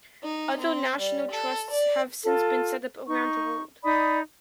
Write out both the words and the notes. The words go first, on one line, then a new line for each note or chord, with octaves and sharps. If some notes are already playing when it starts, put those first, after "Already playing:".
Other national trusts have since been set up around the world.
D#4
C4
G3
A4
D5
F4 A4
D#4 C#6
D#4 D5 B5 D#6